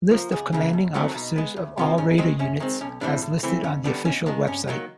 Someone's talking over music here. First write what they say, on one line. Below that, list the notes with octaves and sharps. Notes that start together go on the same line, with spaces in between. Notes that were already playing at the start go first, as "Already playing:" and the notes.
List of commanding officers of all Raider units, as listed on the official website.
F3 A#3
C#2 G#4
C#3 E3 G3 A#3
D#2
D#3 F#3 A3 C4
B2 D#4
G#3 B3
D2
C3 F3 A#3
G#2 C#4
D#3 G#3 C4
F#2 C#4
D#3 G#3 C4
B1 C#4
A2 E3 G3 C4 D4
A2
E3 A3 C4
F2 C#4
D3 G3 B3 D4
D#2 C#4
D#3 G#3 D4
G2 C#4
D#3 F#3 A#3